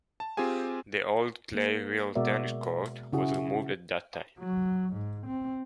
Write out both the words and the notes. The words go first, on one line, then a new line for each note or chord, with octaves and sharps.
The old clay real tennis court was removed at that time.
A5
C4 F4 G4 G#4 G#5
A#3
B2 G#3 F#4 A#4 D5 E5
C#3 E4 F#4 G#4
F#3
G#2
C4